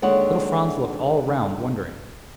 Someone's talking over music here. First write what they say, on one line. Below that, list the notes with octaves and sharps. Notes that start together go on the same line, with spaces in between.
Little Franz looked all round, wondering.
D#2 D3 G#3 C#5 F#5